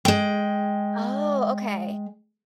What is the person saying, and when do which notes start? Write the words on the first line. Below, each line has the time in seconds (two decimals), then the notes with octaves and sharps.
Oh, okay.
0.05 G#3 G5